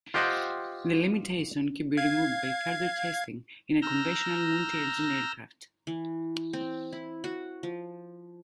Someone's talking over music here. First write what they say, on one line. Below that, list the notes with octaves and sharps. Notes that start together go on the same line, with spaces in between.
The limitation can be removed by further testing in a conventional multi-engine aircraft.
F4 G4 C5 D#5 F#5 G5
F5 G#6
A#5 E6 F6 G6 A#6
E3
C4
E4
F#4
F3